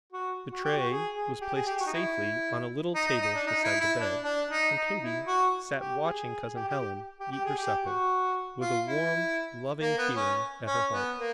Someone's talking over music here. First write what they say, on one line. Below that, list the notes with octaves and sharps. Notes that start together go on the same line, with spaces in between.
The tray was placed safely on a little table beside the bed, and Katy sat watching Cousin Helen eat her supper with a warm, loving feeling at her heart.
F#4
F#4
G4
F#4
G#4
G#4
G4
G#4
G4
F#4
D#4
E4
D#4
D#4
D#4
D4
D#4
E4
E4
D4
D4
D#4
D#4
E4
F#4
G4
G#4
G4
G4
G4
G4
G4
G#4
G4
F#4
F4
E4
A#3
B3
C#4
C#4
B3
A#3